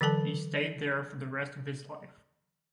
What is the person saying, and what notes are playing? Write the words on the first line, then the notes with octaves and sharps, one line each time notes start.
He stayed there for the rest of his life.
D3 E3 F#3 A4 A5